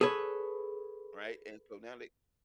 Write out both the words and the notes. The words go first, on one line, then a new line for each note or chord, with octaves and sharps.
right, and so now they
G#4 A4 B4 C#5